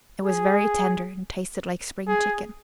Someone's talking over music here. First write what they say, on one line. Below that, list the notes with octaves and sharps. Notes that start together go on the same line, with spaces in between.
It was very tender and tasted like spring chicken.
G#4
G#4